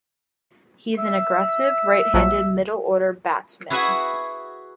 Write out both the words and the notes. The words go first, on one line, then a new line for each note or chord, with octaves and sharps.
He is an aggressive right-handed middle order batsman.
E5
A#1 F3 F#3
E4 F#4 G#4 B4 E5 F#5